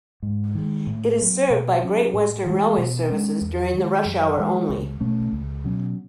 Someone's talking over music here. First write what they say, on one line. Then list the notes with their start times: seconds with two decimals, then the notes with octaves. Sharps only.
It is served by Great Western Railway services during the rush hour only.
0.23 G#2
0.55 D#3 G#3
0.87 A2
1.18 F#3 B3
1.50 B2
1.82 F#3 C#4
2.14 A2
2.46 E3 G#3
2.78 B2
3.10 G#3 C#4
3.41 E2
3.74 D#3 G#3
4.06 F#2
4.38 E3 G#3
4.69 C#2
5.00 B2 A3 C#4
5.33 C#2
5.64 B2 F#3 C#4